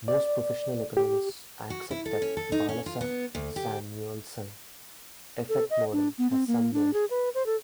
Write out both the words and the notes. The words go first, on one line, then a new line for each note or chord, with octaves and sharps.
Most professional economists accept that the Balassa-Samuelson effect model has some merit.
D5
G4
F#4
E4
A4
C#4
A4
D#4
C#4
F4
B3
D2
G4
A4
D#5
D4
B3
C4
A#3
D4
G#4
B4
C5
A4